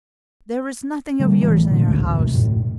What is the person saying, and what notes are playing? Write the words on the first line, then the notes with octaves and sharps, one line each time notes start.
There was nothing of yours in her house.
D3 G3 A3
A1 E3 G#3
A#2 D3
D#1 A1 D2 A3
F#2 B2
B1 A2